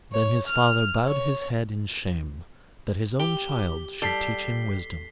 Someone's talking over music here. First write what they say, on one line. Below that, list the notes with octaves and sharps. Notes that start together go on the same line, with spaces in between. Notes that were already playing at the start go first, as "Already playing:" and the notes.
Then his father bowed his head in shame that his own child should teach him wisdom.
C#5
F6
C#5
G4 G7
G3 A4 B6 C7 G7